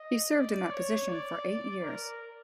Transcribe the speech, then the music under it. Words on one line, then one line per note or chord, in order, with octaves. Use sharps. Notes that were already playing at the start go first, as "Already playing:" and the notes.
He served in that position for eight years.
Already playing: D#5
D5
C#5
D5
D5
A#4